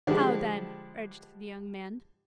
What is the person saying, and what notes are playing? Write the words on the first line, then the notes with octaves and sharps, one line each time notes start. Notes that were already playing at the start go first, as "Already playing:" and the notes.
'How then?' urged the young man.
D3 F3 G3 G#3 D4 G4